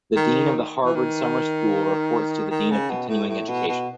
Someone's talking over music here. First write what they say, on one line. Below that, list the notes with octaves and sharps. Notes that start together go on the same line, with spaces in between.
The Dean of the Harvard Summer School reports to the Dean of Continuing Education.
D#3
E3
D#3
D#3
C#3
B2
A2
A2
B2
B2